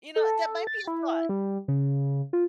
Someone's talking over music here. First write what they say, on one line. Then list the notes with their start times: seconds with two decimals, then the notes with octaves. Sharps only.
You know, that might be a thought.
0.16 A4
0.67 A6
0.87 E4
1.29 G3
1.68 C#3
2.33 F4